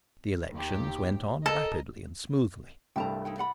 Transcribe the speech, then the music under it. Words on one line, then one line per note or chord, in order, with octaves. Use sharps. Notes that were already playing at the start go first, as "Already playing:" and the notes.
The elections went on rapidly and smoothly.
D#2 G4
A4 A#4 D#5
C2 G2 A3 G5 A5 A#5
D#4 E4 G5
D5 F#5 B5